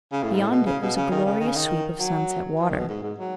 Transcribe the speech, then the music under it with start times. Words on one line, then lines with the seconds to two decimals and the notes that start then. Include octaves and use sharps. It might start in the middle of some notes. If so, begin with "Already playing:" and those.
Beyond it was a glorious sweep of sunset water.
0.12 C#3
0.23 A2
0.32 G#2
0.42 A2
0.51 B2
0.66 C#3
0.82 B2
0.96 C#3
1.11 D#3
1.26 C#3
1.40 D#3
1.48 C#3
1.56 D#3
1.99 F#3
2.59 E3
2.69 D#3
2.78 B2
2.89 G#2
3.02 G#2
3.18 F#3